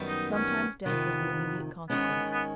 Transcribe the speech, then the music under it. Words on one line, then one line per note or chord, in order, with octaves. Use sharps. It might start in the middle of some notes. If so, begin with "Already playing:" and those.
Sometimes death was the immediate consequence.
Already playing: F#2 D#3 G3 B3
D#4
C#4
F2 C3 D#3 B3
G#2 D#3 G#3 B3 C#4
B3